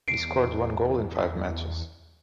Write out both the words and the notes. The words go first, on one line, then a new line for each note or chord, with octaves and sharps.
He scored one goal in five matches.
E2 C7 D7